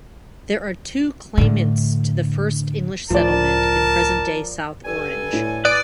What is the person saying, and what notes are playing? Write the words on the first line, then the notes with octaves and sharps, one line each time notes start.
There are two claimants to the first English settlement in present-day South Orange.
A2 D3
C#2 A2 F3 A#4 D5 A5
G2 A4 G#5
A2
B4 D5 D#6